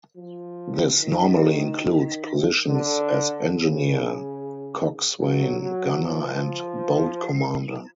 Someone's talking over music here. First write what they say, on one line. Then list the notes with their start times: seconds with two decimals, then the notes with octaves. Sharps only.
This normally includes positions as engineer, coxswain, gunner, and boat commander.
0.16 F3
1.00 D#3
2.67 D3
3.51 C#3
5.19 F#3
5.60 F#3
6.03 F3